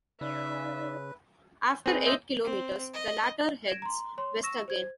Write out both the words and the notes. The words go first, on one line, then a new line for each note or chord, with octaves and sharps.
After eight kilometres, the latter heads west again.
C#3 D#4 B4 D5 E5
C4 G#4 B4
C5 D#5 E5
C4
D#5
G#6 A#6 D7 E7
A#5 C6
C#5 C6
C#6 E6 A#6 E7
C5 G#6